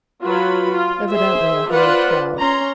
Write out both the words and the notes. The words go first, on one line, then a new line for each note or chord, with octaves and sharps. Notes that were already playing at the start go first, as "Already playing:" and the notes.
"Evidently a hard crowd."
F#3 F4 F#4 B4 B5
F4
G#4 C5 E5
F4 B4 C5 D5 F#5
C#4 A#5 C6